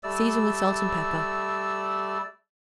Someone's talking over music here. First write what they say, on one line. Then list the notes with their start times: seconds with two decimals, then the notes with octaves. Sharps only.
Season with salt and pepper.
0.03 G3 A3 D5 E6